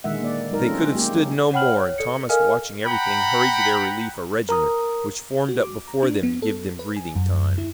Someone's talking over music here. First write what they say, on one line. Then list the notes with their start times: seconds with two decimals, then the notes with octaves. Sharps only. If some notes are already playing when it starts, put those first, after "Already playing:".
But they could have stood no more, and Thomas watching everything hurried to their relief a regiment, which formed up before them to give them breathing time.
0.04 A#2 D3 D#3 G#3 E5 F#5
0.21 A#3 D5
0.51 F#3 G#3 D#4 A#4
0.64 A3 C4 C#4 F4 A4
0.94 G#3 A#3 G4
1.15 F#3 C#4
1.53 C#5 F#5 G5 B5 F6 F#7
1.77 C#5
1.98 A4 D5 C#7
2.29 A4 A#4 D#5 F5 G#5 F6
2.86 F#5 G5 A#5 B5
4.49 A#4 A#5 D#6
5.49 F#4
5.63 D6
5.88 A#5
6.03 D4
6.23 B3
6.42 A4
6.79 B4
6.96 G#5
7.16 F#2
7.58 E4